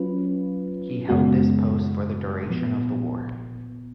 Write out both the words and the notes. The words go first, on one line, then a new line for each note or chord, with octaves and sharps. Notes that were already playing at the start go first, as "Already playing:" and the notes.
He held this post for the duration of the war.
Already playing: F#3 C#4 F4 B4
F#2 C#3 G#3 B3 F#4
A#2 F3 B3